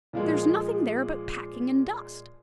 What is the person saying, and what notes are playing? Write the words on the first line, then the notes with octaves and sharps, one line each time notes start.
There's nothing there but packing and dust.'
A#2 F3 G#3